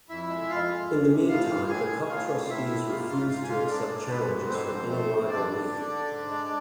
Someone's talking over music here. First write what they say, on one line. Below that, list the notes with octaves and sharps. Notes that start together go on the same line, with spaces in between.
In the meantime, the Cup trustees refused to accept challenges from any rival league.
F2 E4 E5
G#3
F2 F4 F5
G#3
C3
C3
A2 F4 F5
E3
A2 G#4 G#5
A2
A2 F4 F5
A2
A2 E4 E5
A2
G#2 F4 F5
G#2 F4 F5
G#2 F4 F5
G#5
G#3 F4 F5
G#2 D4 D5
G#3
G#3 B3 B4
G#2
D3 C4 C5
F2
A3 C4 C5
F2
F2 D4 D5
D3
D3
D3
G#2
G#3